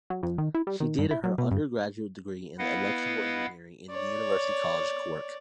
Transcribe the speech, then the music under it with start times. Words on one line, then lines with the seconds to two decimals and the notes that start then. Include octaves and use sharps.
She did her undergraduate degree in electrical engineering in University College Cork.
0.10 F#3
0.23 F2
0.38 D#3
0.55 E4
0.67 G3
0.80 D#3
0.99 G2
1.11 E4
1.24 F#3
1.38 B2
1.51 G2
2.59 B3 E4 B4 D#5 F5 F#5
3.91 C#5 D5